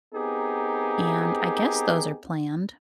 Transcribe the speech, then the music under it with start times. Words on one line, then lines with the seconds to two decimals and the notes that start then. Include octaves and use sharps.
And I guess those are planned,
0.13 B3 C4 D#4 G4 G#4 A#4